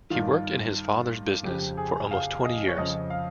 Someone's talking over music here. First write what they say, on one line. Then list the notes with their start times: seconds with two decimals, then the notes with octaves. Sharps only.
He worked in his father's business for almost twenty years.
0.10 G2 D#3 F4
1.43 F2 C#3 F3 G4
1.77 G#4
2.11 F5
2.45 D#5
2.68 C#5
2.77 F2 C#3 F3 D#5
3.10 F5